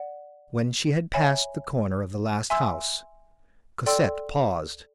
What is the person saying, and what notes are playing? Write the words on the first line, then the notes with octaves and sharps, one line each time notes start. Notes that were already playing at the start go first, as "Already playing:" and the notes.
When she had passed the corner of the last house, Cosette paused.
Already playing: D5 F#5
C#5 E5 G#5 B5
E5 G#5 C6 E6
A4 D5 G5 C6 E6